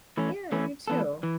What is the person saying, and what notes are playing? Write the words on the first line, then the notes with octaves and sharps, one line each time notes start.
Yeah, you too.
E3 A3 C#4
E3 A3 C#4
E3 B3 A4
E3